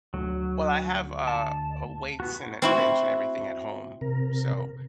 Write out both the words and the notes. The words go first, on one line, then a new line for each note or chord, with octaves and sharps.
Well I have, uh uh, weights and a bench and everything at home, so,
D2 F#3
A5
B3 F#4
C4 E4 F#4
C3 A#4